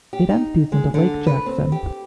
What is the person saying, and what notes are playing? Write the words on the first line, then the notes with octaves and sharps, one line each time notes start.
It empties into Lake Jackson.
G4
D#4
G#3
D3
B4
C4
G4